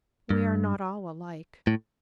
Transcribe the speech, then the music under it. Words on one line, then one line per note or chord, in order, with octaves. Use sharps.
We are not all alike.
G2
A2